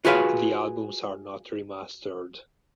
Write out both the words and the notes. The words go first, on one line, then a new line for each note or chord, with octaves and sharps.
The albums are not remastered.
F4 F#4 G#4 B4 C#5 F5